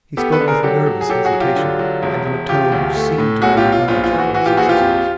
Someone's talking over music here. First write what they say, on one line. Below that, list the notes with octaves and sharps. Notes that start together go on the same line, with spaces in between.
He spoke with nervous hesitation, and in a tone which seemed to make apology for his existence.
B3 G4 A4
A4 B4
D3
G#4 A#4
F#3 G4 A4
F#3
G#4
F#3 G4 A4
F#4 G#4
F#3
F4 G4
D3
F#3
E1
E1
E1 F4 G4
D2
A3
A2
B1 F#4 G#4
F4 G4
B1
F4
A#1 F4
F4
E3
F#4
E3 F#4
F4 G4
A#1 F#4 G#4
F4 G4
F2